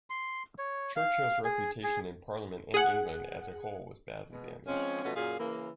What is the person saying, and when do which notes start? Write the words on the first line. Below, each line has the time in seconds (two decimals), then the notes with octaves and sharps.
Churchill's reputation in Parliament and England as a whole was badly damaged.
0.10 C6
0.58 C#5
0.96 F5
1.45 G#4
1.83 G#4
2.74 G#4 F#5
4.29 B2 G#3
4.66 F3 G#3 C4 C#4
5.03 B2 F3 A3 B3 C#4
5.15 F#2 A#2 G#4 F5
5.38 C#3 E3 A#3